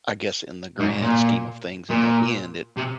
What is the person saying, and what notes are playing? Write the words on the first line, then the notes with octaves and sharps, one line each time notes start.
I guess in the grand scheme of things in the end it
G#2
A#2
A#2
C3